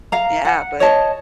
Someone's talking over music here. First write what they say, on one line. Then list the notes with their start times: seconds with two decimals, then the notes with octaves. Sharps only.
Yeah, but
0.12 F5 A#5
0.45 F#5
0.80 C#5 D#5 A5